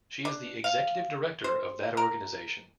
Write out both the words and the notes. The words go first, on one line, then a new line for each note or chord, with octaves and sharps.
She is the executive director of that organization.
D4
F5
C5
A#4